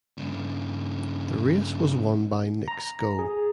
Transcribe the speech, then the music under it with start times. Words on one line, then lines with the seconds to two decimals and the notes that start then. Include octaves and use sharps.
The race was won by Knicks Go.
0.18 G2 C#3
2.68 A#5
3.19 G#4